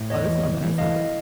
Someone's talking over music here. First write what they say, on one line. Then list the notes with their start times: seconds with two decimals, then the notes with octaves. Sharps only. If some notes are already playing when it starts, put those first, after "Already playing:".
Oh, that's not bad, that's not bad.
Already playing: A2
0.10 E2 C#5 D#5
0.28 E3
0.45 E3
0.62 E3
0.78 D2 D#5 F5